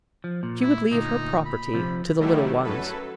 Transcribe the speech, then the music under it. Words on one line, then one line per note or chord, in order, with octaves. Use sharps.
She would leave her property to the little ones.
F3
A#2
E4
D2 A#2 D#4
B5
C3 F3
D#3 F#3 G3 A3 E4
F#2 F#3 A4 B4